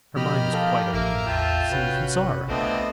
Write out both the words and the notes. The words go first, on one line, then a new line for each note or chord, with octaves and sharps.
Her mind is quite unhinged, you see... from sorrow.
B2 D#3 F3 G4 D#5 B5 F6
A4 F5 A5
A1 A#3 E5 F5 A#5 D6
E2 F4 E5 G5 A5
C3 C#4 F#4 B4
C2 D3 F3 A3 B3 C4 D#5